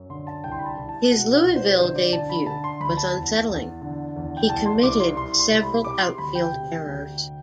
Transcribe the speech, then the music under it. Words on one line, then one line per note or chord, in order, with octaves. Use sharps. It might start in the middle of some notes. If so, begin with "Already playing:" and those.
His Louisville debut was unsettling; he committed several outfield errors.
Already playing: F#2
D3 C6
A5
C2 G5
C6
B5
A5
C2
A5
B2 F#5
F#5
C2
C5
D3 C5
D5
D3 A5
B5
D3 A5
C6
D2 B5
A5
E2
E2
D3
E2
G5
C2 A5
C6
C2 D6
C6
C2 C6
C6
C3
B5
C3 D6
C6
D2 B5
G5
C3
D2